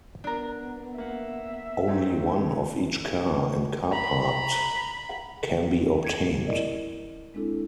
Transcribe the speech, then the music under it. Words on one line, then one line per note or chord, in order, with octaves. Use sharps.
Only one of each car and car part can be obtained.
B3 D4 A#4
A#3 E5 F#5
F#3 C4 D#4
A#5 B5
G#6
E4 A#4 D5 D#5
G#3 C4 D4 E4 A4